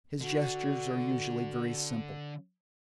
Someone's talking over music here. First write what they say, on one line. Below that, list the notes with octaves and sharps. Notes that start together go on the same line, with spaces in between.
His gestures are usually very simple.
D3 F#4